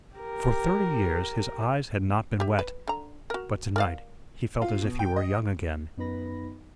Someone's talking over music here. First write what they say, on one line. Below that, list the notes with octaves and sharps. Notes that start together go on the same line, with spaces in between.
For thirty years his eyes had not been wet, but tonight he felt as if he were young again.
G4 A#4
G4 E5
B4
D3 A#5
F#4 A#4
A#4 D5 F5
F4
B2
G5
D#5
F#2 B3 D#4 B4 B5 A#6